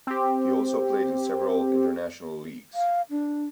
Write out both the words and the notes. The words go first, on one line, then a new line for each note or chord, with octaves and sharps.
He also played in several international leagues.
C4 G4
F5
D4